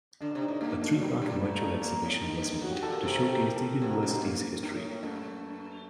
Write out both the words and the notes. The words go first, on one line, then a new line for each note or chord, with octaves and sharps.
A three part virtual exhibition was made to showcase the university's history.
D3 D4
C3 D4
D#4
A2
G2 A#3
A#3
F#2 A3
F#3
G2 G3
G3
G2
G3
A#2 A3
A3
A#2 A#3
A2
G2 D#4
G2
A2 F#4
G4
A#2 A4
A#4
C3
A4
G4
A#4
G4
A4
C3 F#4
D#4
F#2
C4
A#3
G2
A2
A2
F#2 A3